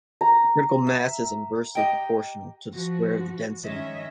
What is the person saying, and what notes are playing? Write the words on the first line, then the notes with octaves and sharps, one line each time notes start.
The critical mass is inversely proportional to the square of the density.
A#5
E5
G4 D#5 G5
F3 F#4
D#3 G#3 C#4 D#5 E5